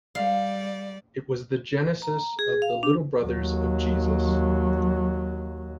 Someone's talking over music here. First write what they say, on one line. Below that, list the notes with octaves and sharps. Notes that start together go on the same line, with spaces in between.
It was the genesis of the Little Brothers of Jesus.
G3 D5 F5
A#5
G#4
F5
D4
D#2 F#3